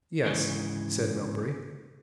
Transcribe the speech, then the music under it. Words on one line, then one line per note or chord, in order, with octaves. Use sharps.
"Yes," said Melbury.
D2 G#2 C#3 E3